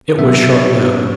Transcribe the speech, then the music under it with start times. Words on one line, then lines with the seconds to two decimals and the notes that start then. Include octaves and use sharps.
It was short-lived.
0.18 A#2 F#3 B3 D4 E5
0.55 C#5
0.94 A#2 A#3 C#4